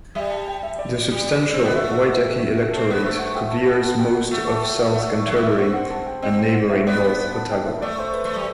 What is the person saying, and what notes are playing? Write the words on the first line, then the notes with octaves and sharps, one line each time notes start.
The substantial Waitaki electorate coveres most of South Canterbury and neighbouring North Otago.
G3 E5
A5
G5
E5
D5
G3
C4
B3 D5
A3 E5
F#5
B4
G4
F#4
G4
A4
C4
B4
B3
A3 C5
F#5
G5
A5
B3 F#5
A5
G5
F#5
A3 F#5
A5
G5
F#5
A3 E5
D5
F#3 E5
B3
A3 E5
C4 F#5
F#5
A5
G5
C4 G5
G5
F#5
E5
B3 D5
C5
A5
G5
E5
A3 D5
C5
B4
A3
A4
G3